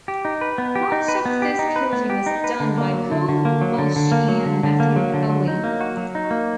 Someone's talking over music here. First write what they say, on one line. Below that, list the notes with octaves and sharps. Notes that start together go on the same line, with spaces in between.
Much of this coding was done by Paul Bausch and Matthew Haughey.
G4
D#4
B4
B3
G4
D#4
B4
B3
G4
D#4
B4
B3
G4
D#4
B4
D3
A#3
F#3
D3
D3
A#3
F#3
D3
D3
A#3
F#3
D3
D3
A#3
F#3
D3
F#3
D#4
A#3
F#4
F#3
D#4
A#3